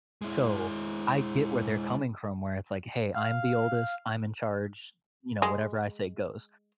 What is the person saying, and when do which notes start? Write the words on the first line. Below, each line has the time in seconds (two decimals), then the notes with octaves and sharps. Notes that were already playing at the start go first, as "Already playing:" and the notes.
So, I get where they're coming from where it's like, "Hey. I'm the oldest. I'm in charge," you know, "Whatever I say goes."
0.22 G#3 E4
3.14 F5
5.42 G#3